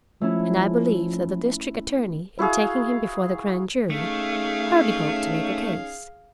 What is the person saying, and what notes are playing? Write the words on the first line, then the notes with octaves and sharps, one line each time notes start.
And I believe that the district attorney, in taking him before the grand jury, hardly hoped to make a case.
F3 A3 C#4 E4
E4 F#4 G#4 F5
A3 C#4 D#4 G#4 F5